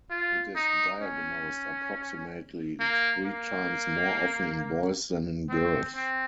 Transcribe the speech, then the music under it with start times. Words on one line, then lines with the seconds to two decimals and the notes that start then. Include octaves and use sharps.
It is diagnosed approximately three times more often in boys than in girls.
0.11 F4
0.56 D#4
1.01 C#4
2.80 A#3
3.25 A#3
5.50 C4
5.95 C4